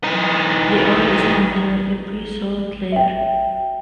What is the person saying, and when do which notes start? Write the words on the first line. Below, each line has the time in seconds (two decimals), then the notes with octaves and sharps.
The oil is under the pre-salt layer.
0.04 E3 D#4
2.92 E5 G5